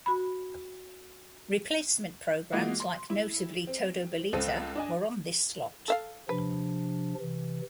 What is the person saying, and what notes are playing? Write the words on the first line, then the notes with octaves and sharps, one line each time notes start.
Replacement programs like notably, "Todo Balita" were on this slot.
F#4 B5
E3 G#3 A#3 F4 F#4 D#5
C6
E4
C4
C#2 C4 A4 D#7
D4 D#5 G#5
A4 E5 F5
C3 F3 D4 B4
C3 E3